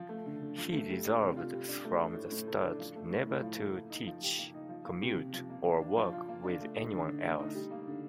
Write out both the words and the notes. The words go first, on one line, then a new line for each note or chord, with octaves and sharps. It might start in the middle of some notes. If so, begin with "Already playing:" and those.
He resolved from the start never to teach, commute, or work with anyone else.
Already playing: F3
A3
D3
D3
F3
A3
G3
D4
C3
F4
G3
D4
A3
D4
A2
A2
A3
D4
F3
A3
A2
A2
F3
A3
A#3
D#4
F3
G4
A#3
D#4
F3
A#3
C3
C3
F3
A#3
A#3
D4
F3
F4
A#3
D4
A3
D#4
D3
D3
A3
D#4
G3
A#3
D3